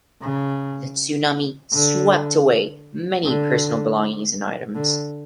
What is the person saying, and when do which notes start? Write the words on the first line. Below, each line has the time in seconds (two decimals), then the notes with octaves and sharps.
The tsunami swept away many personal belongings and items.
0.22 C#3
1.73 D3
3.25 D3
4.75 D3